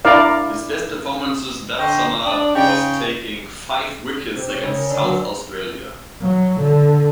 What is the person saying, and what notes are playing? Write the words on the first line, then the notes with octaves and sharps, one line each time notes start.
His best performances that summer was taking five wickets against South Australia.
D4 E4 A#4 D5 F5
D3 C#5 D#5 G5 C6
D4 D5
C#3 D#4 C#5 G5
C3
C#5
C#3
A#4
D3
F#3
F#3
D3